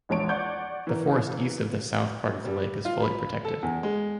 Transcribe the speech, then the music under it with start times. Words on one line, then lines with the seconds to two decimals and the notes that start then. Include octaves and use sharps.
The forest east of the south part of the lake is fully protected.
0.09 A#1 E2 G#3 C#5 A5 D7
0.29 D5 F#5 C#6 G6 G#6
0.87 E3 A#4
2.45 G3
2.85 F4
3.02 B5
3.45 A4
3.63 E2
3.83 G#3